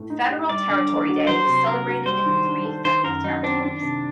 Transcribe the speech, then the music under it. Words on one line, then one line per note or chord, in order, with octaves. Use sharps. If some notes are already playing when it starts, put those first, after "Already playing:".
Federal Territory day is celebrated in the three Federal territories.
Already playing: A2 A3
D#4
G4
G3 D5
D3
A#3
F#4
F#3 C5
C3
A#3 A#4
F#4
G3 C5
D#3
D4
A4
D#3 C5
F#2 A#4
F#3 D#4
C4 D4
D#3 D4
C3